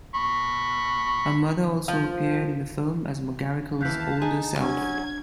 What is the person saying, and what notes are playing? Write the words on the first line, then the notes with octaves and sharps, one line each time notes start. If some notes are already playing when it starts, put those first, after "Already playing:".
Her mother also appeared in the film as McGarricle's older self.
B5 C#6
F3
D#2 E3 F5 A5 F#6 G6 B6
D#4 G#4
F#3 C#4 D4 G#6